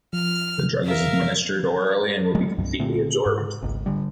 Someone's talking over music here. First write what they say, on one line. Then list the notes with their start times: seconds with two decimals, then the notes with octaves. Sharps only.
The drug is administered orally and will be completely absorbed.
0.13 F3 F6
0.84 A#4 E5 F5
2.35 F#3 G#3 A3
2.58 C2 G2
2.79 A#2 D3 A3 C4
3.26 G#2
3.62 G#1 C#2 G#2
3.86 D3 G3